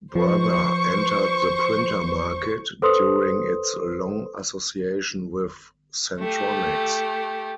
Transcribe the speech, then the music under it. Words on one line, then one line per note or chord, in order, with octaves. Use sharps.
Brother entered the printer market during its long association with Centronics.
F3 B4 C5 C#6
A4 B4 C5 C6 D#6
A3 G4